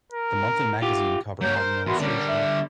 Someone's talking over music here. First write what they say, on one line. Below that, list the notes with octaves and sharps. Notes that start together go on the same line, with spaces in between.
The monthly magazine cover had an illustration.
A#4
F4 G4
F#3 A#3 C#5 A#5 G6
A#4 C5
E2 F#4 B5 C6
D3 G3 C#4 A#4 D5
E5